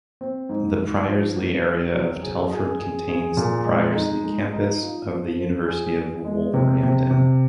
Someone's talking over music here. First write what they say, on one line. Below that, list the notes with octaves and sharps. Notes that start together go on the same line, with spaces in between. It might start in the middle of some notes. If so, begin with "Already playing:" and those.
The Priorslee area of Telford contains the Priorslee Campus of the University of Wolverhampton.
C4
G#2
G#2
F3
F#4
C4
F#3
G#4
G#4
G#4
G#4
A#2
G#3
D#4
G#3
D#4
F4
F3
F3
G#4
G#4
G#3
C3
C3
C3